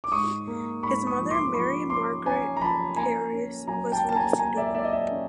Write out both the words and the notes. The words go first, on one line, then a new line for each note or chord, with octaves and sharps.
His mother Mary Margaret Peiris was from Seeduwa.
D6
G#2 C#6 D#6
A#3
G#2 B5 C#6
C#6 D#6
F3
C6 D6
F3 B5 C#6
C#4 C6 D6
C#4 G#5 A#5
A#5
F3 A5 B5
A#3 G#5 A#5
C#4
F#3 G#5 A#5
G5 A5
A#3 A5
G#5 A#5
A#3 G#5 A#5
D5 E5
A#3 D5 E5
D#5
D5 E5
C#4